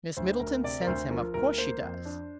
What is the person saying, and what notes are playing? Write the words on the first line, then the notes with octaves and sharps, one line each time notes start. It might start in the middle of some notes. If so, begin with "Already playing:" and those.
"Miss Middleton sends him; of course she does."
D2 C5
D2 A#4
C3 D5
A#4
D2 C5
F3 A#4
D2 A#4
A#3 C5
F2
D4